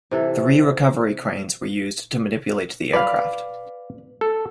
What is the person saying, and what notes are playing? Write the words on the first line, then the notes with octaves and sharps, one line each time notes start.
Three recovery cranes were used to manipulate the aircraft.
C3 E3 A4
B4 D5 F5
A4